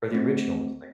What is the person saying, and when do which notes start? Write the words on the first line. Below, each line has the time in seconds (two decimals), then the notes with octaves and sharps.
or the original was live?
0.11 A3 C4